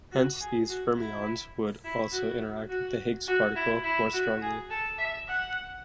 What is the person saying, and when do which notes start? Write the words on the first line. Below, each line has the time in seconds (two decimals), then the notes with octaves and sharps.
Hence, these fermions would also interact with the Higgs particle more strongly.
0.12 F#4
0.40 G#4
0.69 F#4
0.98 E4
1.84 E4
2.12 F#4
2.69 F#4
3.28 F#4
3.56 E4
3.84 E4
4.13 F#4
4.41 G#4
4.70 A4
4.98 E5
5.27 F#5